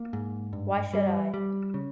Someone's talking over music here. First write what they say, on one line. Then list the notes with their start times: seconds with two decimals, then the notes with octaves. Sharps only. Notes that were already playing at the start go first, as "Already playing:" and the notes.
Why should I?
Already playing: A#3
0.13 G#2
0.53 G2
0.93 G3
1.34 G3
1.74 C#3